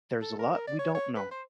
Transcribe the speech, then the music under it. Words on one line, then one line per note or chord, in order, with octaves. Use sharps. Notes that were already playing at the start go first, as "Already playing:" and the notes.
There's a lot we don't know.
A4
A#4
A#4
D5
C#5
C#5
B4
C5